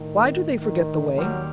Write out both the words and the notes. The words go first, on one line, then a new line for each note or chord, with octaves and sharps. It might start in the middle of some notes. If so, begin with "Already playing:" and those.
"Why do they forget the way?"
Already playing: A2 D#3
D#3
D#2 D#3 F#3 G3